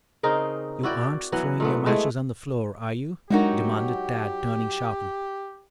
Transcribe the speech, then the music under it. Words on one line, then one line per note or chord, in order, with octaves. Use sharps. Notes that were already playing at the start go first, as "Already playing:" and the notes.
"You aren't throwing your matches on the floor, are you?" demanded Tad turning sharply.
C#3 C4 D#4 A#4
E4 F#4 D5 G5
E3 F#3 B3
A#2 A3 B3
G#3 A3 E4 G#4
F#3 G#3 D4 D#4 F#4 G4 A#4